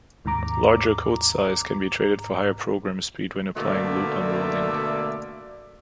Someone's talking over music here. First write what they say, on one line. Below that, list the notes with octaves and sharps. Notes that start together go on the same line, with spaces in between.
Larger code size can be traded for higher program speed when applying loop unrolling.
D#2 G#2 C3 A#5 D6
B2 D3 A3 A#3 D5 E5